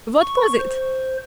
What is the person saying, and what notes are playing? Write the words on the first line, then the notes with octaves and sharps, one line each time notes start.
"What was it?"
C#6
C5